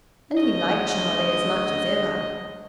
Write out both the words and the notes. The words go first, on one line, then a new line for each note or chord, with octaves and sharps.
And he liked Charlie as much as ever.
D2 C#3 D#5